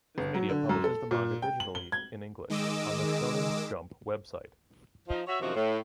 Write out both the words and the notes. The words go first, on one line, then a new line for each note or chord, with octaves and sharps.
Viz Media publishes the manga digitally in English on its "Shonen Jump" website.
G1
F#3
D3
F#2
A4
A#2
G5
F#7
G7
G#6
D#3 G#3 D#5 D6 E6
F3 D#4
F#4 C#5 E5
F#2 C3 D#3 F3 F#4
A2